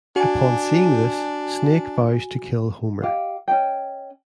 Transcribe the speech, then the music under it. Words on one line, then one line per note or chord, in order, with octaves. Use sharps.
Upon seeing this, Snake vows to kill Homer.
D4 F#4 G#5
G4 D#5 F5
C#4 D#5 G5